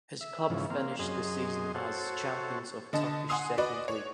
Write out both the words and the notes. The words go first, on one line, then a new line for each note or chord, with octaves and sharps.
His club finished the season as champions of Turkish Second League.
E5
G#2 C#3 E3 F3
A#3 C4 F5
F#2 G#4 D#5 C6
F#4 A4 C5 C#5
D3 D#5 A5
F#5 G#5 C6 D#6 C7
F#4 B4 D5 D#5
C#5